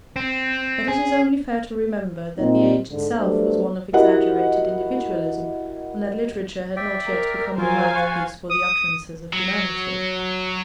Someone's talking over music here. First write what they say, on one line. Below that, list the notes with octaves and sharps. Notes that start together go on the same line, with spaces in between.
Yet it is only fair to remember that the age itself was one of exaggerated individualism and that literature had not yet become a mouthpiece for the utterances of humanity.
C4
G#4
A#2 C4 D#4
G#2 D3
F#3 G3 A3 B3 D4 C5
E4 F#4 G4 A#4 D#5 F#5
D5 E5 G5
A#4
F3 F#3 F4 A#4 C5 F5 G#5
F4 F#4 F#5
D#6
F#3